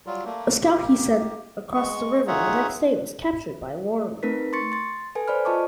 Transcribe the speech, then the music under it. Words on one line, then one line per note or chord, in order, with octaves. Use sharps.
A scout he sent across the river the next day was captured by Lorimier.
F#3 G3 F4
A3 A#3
A#3 G4
G#3 C#6
D#4 F4 G#4 C#5 E5 F#5
A3 C4 D#4 A#4 B4 B6
C6 C#6 A6 C#7
C6 A6
A4 B4 G#5
C5 D5 B5 F6
F4 D#5 A5 C#6 D6